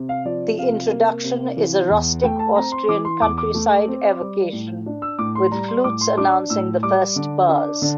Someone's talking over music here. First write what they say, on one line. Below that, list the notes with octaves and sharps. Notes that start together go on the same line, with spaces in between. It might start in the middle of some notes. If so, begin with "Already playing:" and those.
The introduction is a rustic Austrian countryside evocation, with flutes announcing the first bars.
Already playing: C3
F5
F3 D5
C3 F5
A#3
C3
E3
E2
A3 G5
A5
C4 A#5
C6
E3 D6
C6
E2 D6
D6
A3
C4
G3
A2
D4
E6
A2 D6
C6
G3 A#5
C6
A2 D6
C6
D4 D6
A2 E6
G3 D6
D3
D4
D3